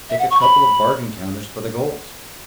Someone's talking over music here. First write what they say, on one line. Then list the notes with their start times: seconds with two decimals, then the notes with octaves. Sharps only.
Take a couple of bargain-counters for the goals.
0.10 E5
0.19 F#5
0.31 C#6
0.41 B5